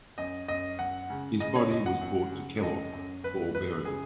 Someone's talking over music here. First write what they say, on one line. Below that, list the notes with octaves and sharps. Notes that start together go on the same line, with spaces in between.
His body was brought to Kellog for burial.
F#2 D#5
F#2 D#5
F#2 F#5
C#3
C#3 D#5
C#5
F#2 D#5
F#5
F#2
C#3
F#2 D#5
F#2
F#2 B4
F#2 B4
C#3 G#4